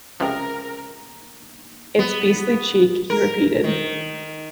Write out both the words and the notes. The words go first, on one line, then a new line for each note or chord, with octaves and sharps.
"It's beastly cheek," he repeated.
C#2 C3 F3 C#4 G#4 A#4 G5
B3
A#4
D#3